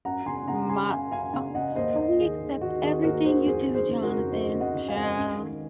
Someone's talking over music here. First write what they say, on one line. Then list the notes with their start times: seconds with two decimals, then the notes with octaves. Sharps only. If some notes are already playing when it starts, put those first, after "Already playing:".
My "Oh oh, we accept everything you do, Jonathan." Child,
0.05 F#2 F#5 A#5
0.26 C#3 G#5 C6
0.48 C#3 F#5 A#5
0.69 C#3 G#5 C6
0.91 C#3 F5 G#5
1.11 F#2 F5 G#5
1.33 C#3 F5 G#5
1.55 C#3 D#5 F#5
1.75 D#2 C5 D#5
1.98 D#2
2.19 D#3 G#4
2.40 D#3
2.61 D#3 F#4
2.82 D#3 G#4
3.03 D#2 F#4 A#4
3.25 D#3 G#4 C5
3.46 F2 G#4 C5
3.67 F2
3.75 G#4 C5
3.88 C#3
4.03 F#4 A#4
4.10 F2
4.31 F2 C5 D#5
4.53 C#3
4.60 D#5 F#5
4.74 C#3
4.88 F5 G#5
4.96 F2
5.17 C#2
5.39 D#3